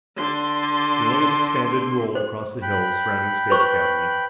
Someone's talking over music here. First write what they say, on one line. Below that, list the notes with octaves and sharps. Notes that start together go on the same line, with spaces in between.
The noise expanded and rolled across the hills surrounding Space Academy.
D3 C6
C5
G5 B5 F#6
B4 C5 C#6